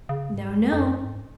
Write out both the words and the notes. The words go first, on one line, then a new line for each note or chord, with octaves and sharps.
No, no.
C#3
G#2
F2
F2
F#2
G#2